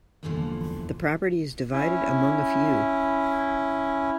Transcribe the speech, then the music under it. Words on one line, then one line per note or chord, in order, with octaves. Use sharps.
The property is divided among a few.
E2 G2 A#2 D3 E3 F3
C#4 E4